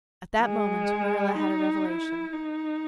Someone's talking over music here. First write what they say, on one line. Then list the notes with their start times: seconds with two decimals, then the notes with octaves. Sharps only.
At that moment Marilla had a revelation.
0.41 G#3
1.37 D#4
1.85 E4
2.33 D#4